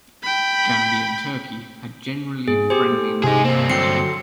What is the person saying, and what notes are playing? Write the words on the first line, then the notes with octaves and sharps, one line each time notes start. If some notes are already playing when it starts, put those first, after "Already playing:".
Gambia and Turkey had generally friendly relations.
G5 B5
G#2 G#4
G4 C5 G#5
A3
C3 D#4 G#4
G2 A#3 C4
D3 F#3 G5 C6 C7 C#7